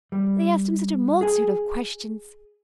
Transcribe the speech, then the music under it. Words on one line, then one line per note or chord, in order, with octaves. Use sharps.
They asked him such a multitude of questions!
G3
G#4 G#5